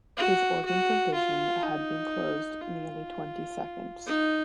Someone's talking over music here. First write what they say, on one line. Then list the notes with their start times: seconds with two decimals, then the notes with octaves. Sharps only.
His organs of vision had been closed nearly twenty seconds.
0.18 F#4
0.66 F#4
1.15 F4
1.63 D#4
2.61 F4
4.06 D#4